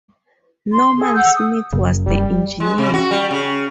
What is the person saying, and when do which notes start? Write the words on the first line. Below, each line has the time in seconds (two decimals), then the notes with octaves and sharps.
Norman Smith was the engineer.
0.73 C6
0.98 G#4 A4
1.15 F#5 E6 G6
1.36 D#6
1.73 F#1 F#2 C#3
2.07 D#1 G3
2.60 G#3
2.78 C3
2.94 F#4
3.11 G3
3.31 C#3